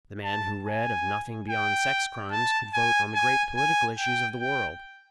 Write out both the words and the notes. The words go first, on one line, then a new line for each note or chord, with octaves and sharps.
The man who read of nothing beyond sex crimes could vote on the great political issues of the world.
A5
G#5
G5
A5
G#5
G#5
G#5
G5
G5